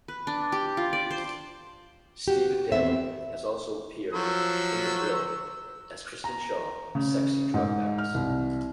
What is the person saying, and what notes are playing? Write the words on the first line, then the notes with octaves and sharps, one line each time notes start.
Stephen-Daly has also appeared in "The Bill" as Kristen Shaw, a sexy drug baroness.
B4
D4
G4
F4
D5
C5
F#4 G4
E2 B3 C4 E5
F3 F#3 E6
A#5
C#3
G#2
F6
C2